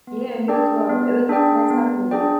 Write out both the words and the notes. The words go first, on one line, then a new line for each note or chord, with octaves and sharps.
Yeah, you as well. It was nice talking to you.
B3
D4 G#4 D5 G5
B3
D4 G#4 D5 G5
B3
D4 G#4 D5 G5